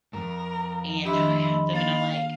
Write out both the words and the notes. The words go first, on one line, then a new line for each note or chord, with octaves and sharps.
and now I have them, and I'm like,
F2 G#2 A#4
D#3 D4 E4 G4 D#5 B5 C6
A#3 F5 A6